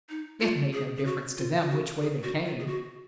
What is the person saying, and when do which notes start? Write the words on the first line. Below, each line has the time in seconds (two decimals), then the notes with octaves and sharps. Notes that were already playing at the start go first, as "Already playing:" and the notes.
It made no difference to them which way they came.
0.09 D#4
0.41 F4
0.73 G#4
0.97 G#4
1.05 F#4
1.37 F4
1.61 F4
1.70 F#4
2.01 G#4
2.23 F#4
2.45 F4
2.59 G#4
2.67 F#4